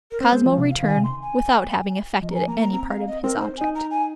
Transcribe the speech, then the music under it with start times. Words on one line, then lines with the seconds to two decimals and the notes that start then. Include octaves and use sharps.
Cosmo returned without having effected any part of his object.
0.11 A#4
0.20 C4 C5
0.32 G#3
0.46 F3
0.58 C3
0.71 F5
0.83 D#3 G#5
0.96 C3
1.04 C6
1.22 G#5
2.22 F3 D#5
2.30 A#5
2.35 G#5
2.48 A#3 A#5
2.60 A#5
2.73 C4 A#5
2.89 F5
3.07 D#5
3.23 C4 A#4
3.36 D#4 C5
3.57 D#4 G#5
3.75 A#5
3.91 G#5